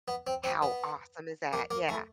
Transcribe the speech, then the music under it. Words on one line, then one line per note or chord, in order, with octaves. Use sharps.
How awesome is that, yeah.
B3
C4
C4
B3
A#3
A#3
A3